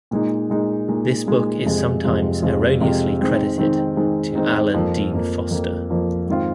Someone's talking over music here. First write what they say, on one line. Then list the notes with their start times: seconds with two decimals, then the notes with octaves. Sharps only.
This book is sometimes erroneously credited to Alan Dean Foster.
0.11 A#2 G#3 D#4
0.50 A#2 G#3 D#4
0.88 A#2 G#3 D#4
1.27 A#2 G#3 D#4
1.65 F2 C3 G#3 F4
2.03 F2 C3 G#3 F4
2.42 F2 C3 G#3 F4
2.81 F2 C3 G#3 F4
3.20 D#3 G#3 C4 D#4
3.58 D#3 G#3 C4 D#4
3.96 D#3 G#3 C4 D#4
4.35 D#3 G#3 C4 D#4
4.74 F2 F3 A#3
5.13 F2 F3 A#3
5.51 F2 F3 A#3
5.90 F2 F3 A#3
6.28 G#2 D#3 C4 F4